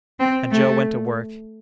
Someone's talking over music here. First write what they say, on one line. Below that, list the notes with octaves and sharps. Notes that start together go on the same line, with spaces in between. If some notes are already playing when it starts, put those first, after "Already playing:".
And Joe went to work.
C4
A3